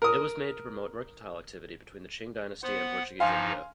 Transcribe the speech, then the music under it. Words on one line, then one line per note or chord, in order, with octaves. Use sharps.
It was made to promote mercantile activity between the Qing Dynasty and Portuguese India.
A#4 D#6
B3 C5 F#5
G2 F3 D#4 F5 G#5 C6